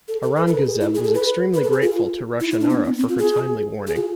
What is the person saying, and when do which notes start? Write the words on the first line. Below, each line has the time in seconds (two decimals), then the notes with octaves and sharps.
Aurangazeb was extremely grateful to Roshanara for her timely warning.
0.08 A4
0.22 A4
0.36 B4
0.47 B4
0.51 A4
0.65 G#4
0.81 E4
0.95 G#4
1.04 A4
1.15 B4
1.54 B4
1.64 A4
1.73 G#4
1.82 F4
2.40 E4
2.50 E4
2.61 D4
2.70 B3
2.84 C4
2.99 C4
3.09 F4
3.19 G#4
3.87 G#4
3.96 F4